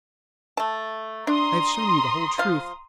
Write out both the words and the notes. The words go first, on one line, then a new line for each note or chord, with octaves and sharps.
I have shown you the whole truth!
A3 A5
D4 A#5 C6 D#6
F3 F5